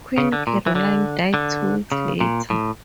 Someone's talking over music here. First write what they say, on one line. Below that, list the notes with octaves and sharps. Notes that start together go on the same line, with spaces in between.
Queen Caroline died two weeks later.
C#3
D3
A#2
E3
D3
D3
C#3
A#2
A2